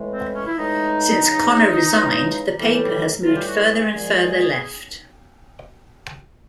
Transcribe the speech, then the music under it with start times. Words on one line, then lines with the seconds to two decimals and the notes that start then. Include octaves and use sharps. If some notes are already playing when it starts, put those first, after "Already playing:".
Since Connor resigned the paper has moved further and further left.
Already playing: A2 E3 G#3
0.13 C4
0.35 C#4
0.47 E4
0.57 A2 E3 G#3 D#4
1.24 C#3 E3 G#3
1.92 C#3 E3 G#3
2.58 A2 E3 G3
3.25 A2 E3 G3 F4
3.37 G4
3.47 F#4
3.70 G#4
3.92 A#2 F3 G#3